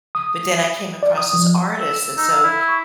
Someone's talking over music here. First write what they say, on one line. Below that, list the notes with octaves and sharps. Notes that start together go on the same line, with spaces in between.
But then I came across this artist, and so
D#6
D5
D#6
F3
E6
D#4 E6
F5
E4
C#6